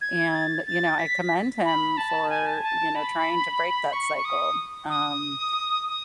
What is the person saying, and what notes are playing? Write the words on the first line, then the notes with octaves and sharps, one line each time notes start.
And, you know, I commend him for, you know, trying to break that cycle, um
G#6
A6
A6
B6
B5
A5
G#5
A5
A5
B5
C#6
C#6
D#6
D#6
D#6